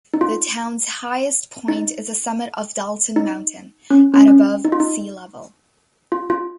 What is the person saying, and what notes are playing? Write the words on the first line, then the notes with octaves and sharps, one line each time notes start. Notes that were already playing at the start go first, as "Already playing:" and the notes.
The town's highest point is the summit of Dalton Mountain, at above sea level.
D#4
F4
D#4
D#4
C#4
C#4
C#4
D#4
F4
D#4
F4
F4